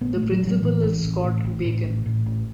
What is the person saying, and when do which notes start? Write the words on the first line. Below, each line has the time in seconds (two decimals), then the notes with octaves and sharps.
The principal is Scott Bacon.
0.01 A1 B3
0.17 A3
0.22 A1
0.32 F#3
0.42 A1 F#3
0.62 A2 E3
0.83 A1
1.03 A1
1.24 A2
1.44 A1
1.65 A2
1.85 A1
2.06 A2
2.26 A1